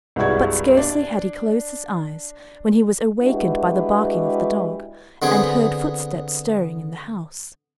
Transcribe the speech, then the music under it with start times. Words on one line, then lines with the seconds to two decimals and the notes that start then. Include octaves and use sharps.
But scarcely had he closed his eyes when he was awakened by the barking of the dog, and heard footsteps stirring in the house.
0.16 C2 G2 G#3 F#4 D5 G#6
0.77 D4 D5
3.23 G#3 D4 E4 F#4 G4 B4
5.22 D3 B3 C4 G#4